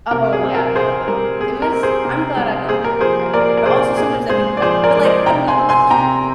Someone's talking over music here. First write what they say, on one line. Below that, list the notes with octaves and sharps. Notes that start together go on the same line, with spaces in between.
Oh, yeah, no, the it was I'm glad I'm not there e either, but also sometimes I think about it, but like, I'm glad I'm not
C3 A#4
G#4
C4
A#4
C3 G#4 C5
G3 A#4
C4 G#4
A#4
C4
G#4 C5
C3
G3
A#3 G#4 C5
A#4
F3 G#4 C5
A#3 A#4 D5
A#4
C3 G#4 C5
A#2 G#4
G#3 G#4 C5
D5
F3 G#4 C5
A#4 D5
G#3
C5 D#5
C3 G5 A#5
G#5 C6
C4
G#5 C6
C3 G5 A#5